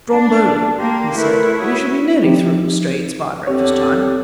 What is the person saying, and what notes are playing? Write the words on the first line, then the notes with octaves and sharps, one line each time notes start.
"Stromboli," he said; "we shall be nearly through the Straits by breakfast-time."
D4 A5
A#3 G4 C6
A3 E4 A#4 B4 C#6
F#4 C#5 E5 D#6
F3 C4 D#4 G4
E2 D3 C4 G4 C#5